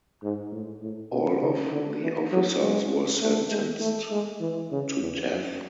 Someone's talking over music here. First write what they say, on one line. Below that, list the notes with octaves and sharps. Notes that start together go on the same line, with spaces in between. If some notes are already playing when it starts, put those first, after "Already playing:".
All of the officers were sentenced to death.
G#2
A2
A2
B2
C#3
D3
E3
F#3
G#3
A3
G#3
A3
G#3
E3
C#3
E2
F#2